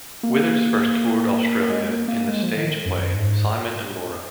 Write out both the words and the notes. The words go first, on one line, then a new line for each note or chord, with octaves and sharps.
Withers first toured Australia in the stage play "Simon and Laura".
A#3
G#3
A#3
A#3
G#3
F3
D#3
F#2
G#2